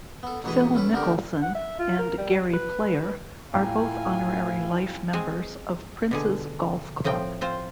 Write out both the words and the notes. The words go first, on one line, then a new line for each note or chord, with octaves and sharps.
Phil Mickelson and Gary Player are both honorary life members of Prince's Golf Club.
B3 A4
A1 B2 E3 G#3 B4 G#5
C#4 A4 B4
D3 A3 B3 G4 A#4 D5
F#5
E5
F4
A#4
G3
B4
A2 E4 F4 F5 G5 G#5 A#5
G#3 C4 G#4
B2 D3 G#4
A2 F3 C4 G5
C4 F4 C5